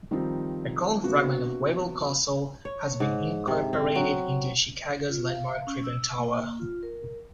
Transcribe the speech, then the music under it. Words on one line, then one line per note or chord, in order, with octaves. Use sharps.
A column fragment of Wawel Castle has been incorporated into Chicago's landmark Tribune Tower.
D#3 F3 G3 C4 D#4
C3 A#3 B3 D4 F#4
C#5
G#2
C3
C4
F#3
F4
F5
C#4
E6
A#3
F4
A#4